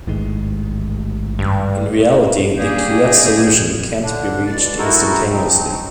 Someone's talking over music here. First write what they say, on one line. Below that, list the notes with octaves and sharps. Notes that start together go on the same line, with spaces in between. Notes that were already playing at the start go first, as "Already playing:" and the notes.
In reality, the Couette solution can't be reached instantaneously.
A1 G#2 D#3 G#3
G2
G3 A#3 C#4 G4 G#4
D3 D4
B2 D5
G#3 D#4 E4 F#4 A4 A#4
F3 F#3 C4 D#4